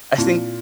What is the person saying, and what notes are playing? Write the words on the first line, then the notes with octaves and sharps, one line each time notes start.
I think
A#2 C4 E4